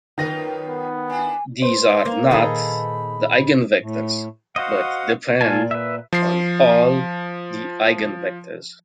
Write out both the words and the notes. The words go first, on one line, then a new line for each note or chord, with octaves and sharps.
These are "not" the eigenvectors, but "depend" on "all" the eigenvectors.
F#2 D#3 F4 B4 A#6
B3
D4 E4 G#5
B4 C5 C6
A#3 F5
A#2 D#3 D#4 G#4 A4 B5
A2
F#4 C5 D#5 F5 F#5
A#2 F4 G#5 A5
B4 E5
F3 C7